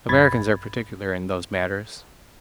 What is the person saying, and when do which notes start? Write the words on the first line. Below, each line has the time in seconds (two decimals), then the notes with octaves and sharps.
Americans are particular in those matters.
0.09 A1 F#2 B5 G#6 A6